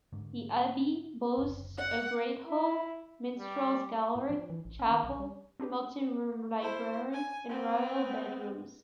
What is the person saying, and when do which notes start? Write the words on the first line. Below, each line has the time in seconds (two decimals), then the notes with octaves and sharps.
The abbey boasts a great hall, minstrels' gallery, chapel, multi-room library, and royal bedrooms.
0.13 G#2 D3 A3
1.37 F#1 D2
1.77 F#5
2.46 E4
3.39 G3
4.15 A2
4.29 F3
4.50 E3
4.65 A1
4.79 C#4
4.91 D#3
5.04 B1
5.19 G3
5.60 C4 D4 G4 B4
6.61 E4 C5
7.13 G#5
7.49 B3 C4